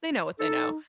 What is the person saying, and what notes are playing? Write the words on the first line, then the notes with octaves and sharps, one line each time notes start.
they know what they know,
D#4 A4